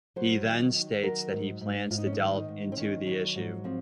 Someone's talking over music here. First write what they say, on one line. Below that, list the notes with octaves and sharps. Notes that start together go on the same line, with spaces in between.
He then states that he plans to delve into the issue.
F#3 C5
D#3
D#3
F#3 A#4
G#2
G#2
G#2 F4
D#4
C#4
D#4
D#3
D#4
G#2
C4
D#3 C#4
F#3
G#2
F3 C4